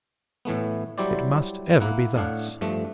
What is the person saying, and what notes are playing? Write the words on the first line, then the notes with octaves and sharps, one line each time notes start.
It must ever be thus.
A2 E3 A3 B3
F#3 G3 E4 G4 C5 D5
A#3 E4 F#5
A2 D4 F5 F#5
G2 F3 A3